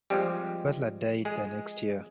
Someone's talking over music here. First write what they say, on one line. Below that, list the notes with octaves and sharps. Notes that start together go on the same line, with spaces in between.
Butler died the next year.
F3 G3 G#3 C4 G4
G#3 G#4